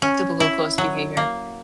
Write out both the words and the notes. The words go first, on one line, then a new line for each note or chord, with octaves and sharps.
Typical close behavior.
C#4
E4
F#3
A#3